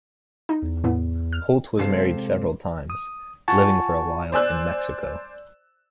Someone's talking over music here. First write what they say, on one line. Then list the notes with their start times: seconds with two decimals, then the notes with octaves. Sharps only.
Holt was married several times, living for a while in Mexico.
0.49 D#4
0.62 E2
0.84 A2 B3
1.33 F6
1.79 C3 G#3 A4 C5 F5
2.90 D#6
3.48 F4 F#5 G#5 A5 C#6
4.32 C5 D5 G#5 E6 F#6